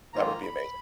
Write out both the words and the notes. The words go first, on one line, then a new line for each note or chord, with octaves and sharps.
that would be amazing.
G#2 D#3 A#3 F4 A#5
B5